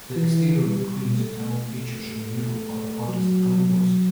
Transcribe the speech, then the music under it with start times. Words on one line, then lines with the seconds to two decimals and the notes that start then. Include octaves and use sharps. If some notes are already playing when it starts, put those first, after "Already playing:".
The exterior of the Queen's Hotel features a mural by the artist Alan Boyson.
0.16 E3
0.65 G3
1.13 A3
1.62 A3
3.08 F#3
3.56 F#3